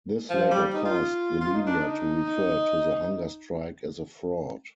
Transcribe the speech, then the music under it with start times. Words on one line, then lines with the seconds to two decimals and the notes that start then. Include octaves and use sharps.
This later caused the media to refer to the hunger strike as a fraud.
0.29 F3
0.51 G3
0.74 D#4
0.85 F4
1.41 F4
1.54 D#4
1.67 D4
1.80 D#4